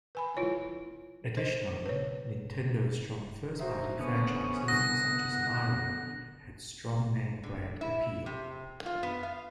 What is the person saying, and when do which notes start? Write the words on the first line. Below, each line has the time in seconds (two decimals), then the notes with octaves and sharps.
Additionally, Nintendo's strong first-party franchises such as "Mario" had strong name brand appeal.
0.15 B4 G#5 B5
0.37 E4 F4 C#5
1.37 C5 D#5
1.86 B4 C#5
3.59 D#4 F#4 C5 E5
3.99 D3 B3 C#4
4.68 C2 F#5 D#6 A#6
7.43 D3
7.81 E4
8.26 C3
8.86 F4
9.03 B3
9.23 F5